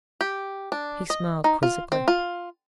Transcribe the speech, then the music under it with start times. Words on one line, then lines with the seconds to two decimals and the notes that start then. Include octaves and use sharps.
He smiled quizzically.
0.21 G4
0.72 D4
1.10 D#5
1.44 D#4
1.63 F4
1.92 C4
2.08 F4